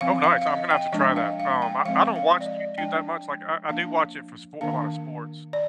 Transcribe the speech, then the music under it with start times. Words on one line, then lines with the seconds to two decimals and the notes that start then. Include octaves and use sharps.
Oh, nice. I'm gonna have to try that. Um, I I don't watch YouTube that much, like, I I do watch it for spo a lot of sports,
0.01 F3 C4 F5
0.24 F5
0.42 F5
0.47 D#5
0.70 G5
0.93 F3 G#3 D4 D#5
1.16 F5
1.40 F5
1.62 G5
1.85 F3 G#3 C4 F5
2.16 F5
2.41 D5
2.46 D#5
2.78 F3 G#3 D4 G5
3.69 F3 A#3 D4 F5
4.61 D#3 A#3 D4 F5
5.53 D5